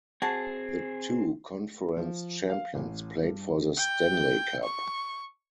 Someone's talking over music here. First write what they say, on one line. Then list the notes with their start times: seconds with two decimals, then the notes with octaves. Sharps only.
The two Conference Champions played for the Stanley Cup.
0.22 C4 F#4 G#4 A5
1.97 F3
2.50 F5
2.75 A1
3.23 G2
3.77 G5
4.63 C#6